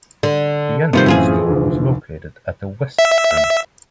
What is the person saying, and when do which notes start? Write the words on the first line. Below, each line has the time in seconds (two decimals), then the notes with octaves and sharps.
The entrance door was located at the west end.
0.23 D3
0.93 C3 D#3 G3 B3 F4 C5
1.06 F#2 A2 E3 C4 F4 G#4
1.49 F1 D2
2.99 E5